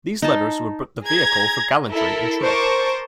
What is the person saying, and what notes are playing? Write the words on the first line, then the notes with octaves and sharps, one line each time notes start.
These letters were but the vehicle for gallantry and trick.
D#4 A5
G#4 A#5 G#6
E4 A4 A#4
A#4 C5 A5 C#6 D6